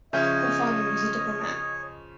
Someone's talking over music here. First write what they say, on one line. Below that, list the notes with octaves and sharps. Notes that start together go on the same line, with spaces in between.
Her father was a diplomat.
C#3 F3 C#4 C#5 D#5 E5 G#5 G6